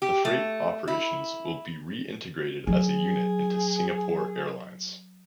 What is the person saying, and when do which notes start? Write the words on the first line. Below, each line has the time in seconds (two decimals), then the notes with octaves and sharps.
The freight operations will be reintegrated as a unit into Singapore Airlines.
0.02 G4
0.25 A3
0.88 E4
2.67 F#3 G#4